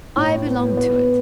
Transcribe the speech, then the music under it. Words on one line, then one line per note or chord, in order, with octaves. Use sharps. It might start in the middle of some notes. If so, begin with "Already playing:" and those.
I belong to it.
A2
B3
B3